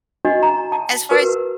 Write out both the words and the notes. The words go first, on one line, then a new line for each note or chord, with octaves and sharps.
as far as
D4 F#4 D#5
A#5
A5
F#4 A#4 B4